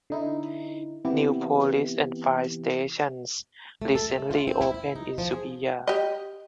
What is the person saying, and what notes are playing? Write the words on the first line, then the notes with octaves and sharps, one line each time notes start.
New police and fire stations recently opened in Subiya.
D3 D#4 E4
C3 E3 B3 E4 G4
A3
A4
A3
F4
C4
E4
E4
D#4
F3
G#4
G4 D#5